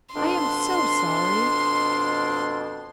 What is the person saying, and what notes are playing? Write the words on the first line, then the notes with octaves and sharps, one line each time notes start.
"I am so sorry!"
F2 B2 D4 C6